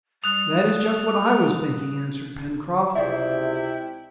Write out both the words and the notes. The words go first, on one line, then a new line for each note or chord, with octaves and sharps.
"That is just what I was thinking," answered Pencroft.
G3 D#6 F#6 F7
C#2 C3 E4 G#4 D5 E5 G5